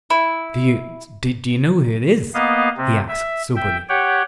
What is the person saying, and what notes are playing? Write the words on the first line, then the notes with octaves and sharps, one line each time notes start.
"Do you--do you know who it is?" he asked, soberly.
E4
A#3 B3 D#5 F5
C3 C4
E5
E5 G5
G4 C#5 F#5 G5